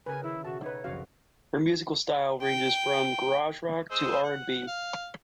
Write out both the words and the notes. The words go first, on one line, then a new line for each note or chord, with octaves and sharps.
Her musical style ranges from garage rock to R and B.
C#3 G#4 A#4 B4 G#5
D#3 E4 E5
B2 F#4 A4 A5 E6
D#4 B4 C#5
F#1 C2 F3 F#4 F5
G5
G#3 C5 E6
F#5
F5